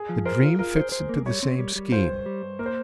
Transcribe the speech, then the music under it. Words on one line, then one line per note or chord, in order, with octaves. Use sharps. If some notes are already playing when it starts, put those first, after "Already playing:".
The dream fits into the same scheme.
Already playing: G#4
F3
A#4 C5
F4
F4 A#4
C5
C5
A#3
G3 C#5
C4
G3
G3
F4 C5
G2
G3
G2
A#3 A#4
C5